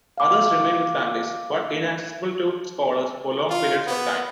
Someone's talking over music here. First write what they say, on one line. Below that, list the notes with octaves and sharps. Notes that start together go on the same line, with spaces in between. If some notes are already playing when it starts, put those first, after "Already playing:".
Others remained with families, but inaccessible to scholars for long periods of time.
F5 D6
F4
B3